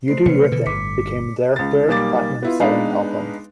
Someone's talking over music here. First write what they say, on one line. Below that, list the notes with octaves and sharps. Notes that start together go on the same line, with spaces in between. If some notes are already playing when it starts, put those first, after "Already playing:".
"You Do Your Thing" became their third platinum-selling album.
A3 C5 C7
C3 F3 F#3 B4 C#7
B2 D3 E3
G1 A2 D6 B6 C#7
C#2 A6
B1 G3 A#3 D6 A6
B3 E4 F4
G#3 B3 D4 D#4 B4 F5